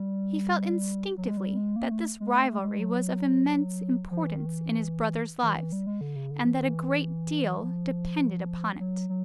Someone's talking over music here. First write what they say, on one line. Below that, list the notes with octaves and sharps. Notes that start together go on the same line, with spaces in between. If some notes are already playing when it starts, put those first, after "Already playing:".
He felt instinctively that this rivalry was of immense importance in his brothers' lives and that a great deal depended upon it.
Already playing: G3
F#3
G#3
G3
G#3
A#3
A3
G#3
A3
A3
G3
G#3
F#3
F3
E3
D#3
E3
E3
E3
G3
G#3
D3
C#3
D3
F3
E3
D#3
E3
F3
F#3
F#3